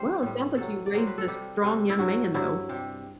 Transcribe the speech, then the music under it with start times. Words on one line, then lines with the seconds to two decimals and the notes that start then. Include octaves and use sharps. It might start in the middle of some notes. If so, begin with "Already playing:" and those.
Well, it sounds like you raised this strong young man, though.
Already playing: G3 C5
0.22 A2 G3
0.57 C3 F#3 A4
0.86 D5
0.93 C3 F#3 C5
1.07 B4
1.18 A4
1.28 C3 G3 G4
1.64 C3 G3
1.90 E4
1.99 G2 F#3 F#4
2.34 G2 F#3 E4
2.69 C3 G3